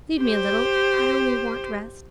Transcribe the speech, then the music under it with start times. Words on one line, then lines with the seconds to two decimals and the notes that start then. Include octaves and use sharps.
"Leave me a little--I only want rest."
0.21 G4 C5